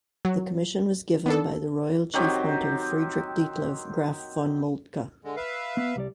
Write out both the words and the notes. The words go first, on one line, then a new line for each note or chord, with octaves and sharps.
The commission was given by the royal chief hunter Friedrich Detlev Graf von Moltke.
F#3
B3 D4 A4
D#3 F#3 C4 G4
D3 G#3
B4 E5 F5
B3
C2 G3 D5